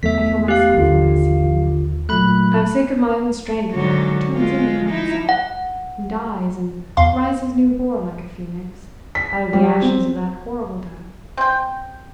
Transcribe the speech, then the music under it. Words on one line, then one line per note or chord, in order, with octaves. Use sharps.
I kill myself when I see you--I'm sick of my own strength that turns in upon itself, and dies, and rises new born like a Phoenix out of the ashes of that horrible death.
E2 A3 E5 B6
G4 F5 F#6
G1 D#2 D3 F4
A#2 F#3 A3 B5 F#6
G#2 D3 F#3
G#3 F4
D#4 E4
F#5
E2 F5 C6
B6
G3
C4
C4 G5